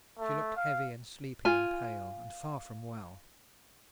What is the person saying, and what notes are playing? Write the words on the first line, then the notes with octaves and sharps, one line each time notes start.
She looked heavy and sleepy and pale, and far from well.
A3
F5
F4 G#5